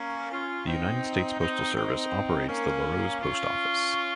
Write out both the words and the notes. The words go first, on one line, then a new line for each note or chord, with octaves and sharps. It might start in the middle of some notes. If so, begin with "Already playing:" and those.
The United States Postal Service operates the Larose Post Office.
Already playing: A#3 C#4
C#4 F4
C4 D#4
C4 D#4
C4 D#4
A#3 C#4
C#4 F4